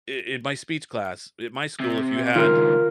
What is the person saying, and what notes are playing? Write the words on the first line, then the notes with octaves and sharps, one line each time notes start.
in my speech class at my school, if you had
C3
C#2 D#3 F4 A#4